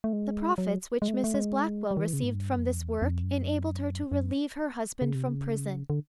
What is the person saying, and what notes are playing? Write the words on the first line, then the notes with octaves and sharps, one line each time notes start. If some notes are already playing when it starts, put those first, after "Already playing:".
The profits which Mrs Blackwell received from this work enabled her to relieve her husband from prison.
A3
G#3
F#3
G#3
A3
G#3
A3
G#3
G3
D#3
E3
C#3
G#2
G2
F2
E2
F2
F#2
F#2
C#3
C3
C#3
D3